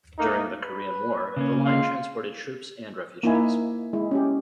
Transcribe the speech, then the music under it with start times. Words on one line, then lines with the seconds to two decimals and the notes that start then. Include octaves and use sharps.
During the Korean War, the line transported troops and refugees.
0.19 A3 A#3 D#4
0.61 B4
1.36 C#3 A#3 C#4
1.66 G#3 F4 F5
3.23 A#3 D#4 E4 G#5
3.93 G#3 E4
4.11 C#4 G4